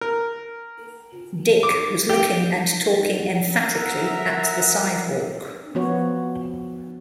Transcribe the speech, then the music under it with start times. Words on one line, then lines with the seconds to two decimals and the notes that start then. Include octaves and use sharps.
Dick was looking and talking emphatically at the sidewalk.
0.01 A#4
1.63 D6
2.09 G4
3.53 A#4 E5 F#5 A#5
5.75 F3 B3 F#4 C#5